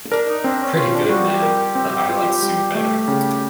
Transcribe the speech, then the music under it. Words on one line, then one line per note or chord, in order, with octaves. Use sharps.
Pretty good, ma'am; but I like Sue better.
D4 A#4
D#4
C4 D4
C#4
C#4 F4
D4
G3 F#4
G4
A#4
C4
F4 G4
G3
A3 G4
C#3